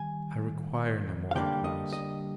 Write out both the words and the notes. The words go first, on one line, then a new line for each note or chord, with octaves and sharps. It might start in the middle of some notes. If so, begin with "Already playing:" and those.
"I require no more advice."
Already playing: D#3 G3 G#5
F5
D3 G3 A#3 D4 G5
D#5
D#5